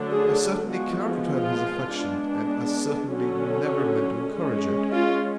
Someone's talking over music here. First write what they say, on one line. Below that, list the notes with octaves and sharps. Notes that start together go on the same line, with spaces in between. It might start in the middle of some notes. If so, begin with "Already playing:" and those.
"I certainly cannot return his affection, and as certainly never meant to encourage it."
Already playing: D3 F#3 A3 D4
G#4
F3 G#3 B3 F#4
F4
G#3 B3 D4
D3 F#3 C#4
G#3 C#4
F4